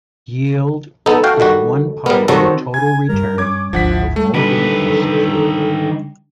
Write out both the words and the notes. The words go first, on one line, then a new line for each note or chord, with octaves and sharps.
Yield is one part of the total return of holding a security.
B3 D#4 A4
F#4 F5 G5
D#3 G3 F#4
G3 B3 A#4
D#3 F#3 G3 C4 F#4 A4
G#5 G#6
G2 G3 A#4
C#4 D6 G#6
G#1 D2 F3 D4 F#5 B6
E4
G3 A3
D3 D#3 G3 A4 B4